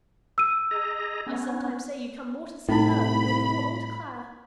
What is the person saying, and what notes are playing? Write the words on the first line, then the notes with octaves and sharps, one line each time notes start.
"I sometimes say you come more to see her than your poor old Clare."
E6 D#7
G#4 D#5 A#5
B3 C#4
C2 A2 D#4 E4 B5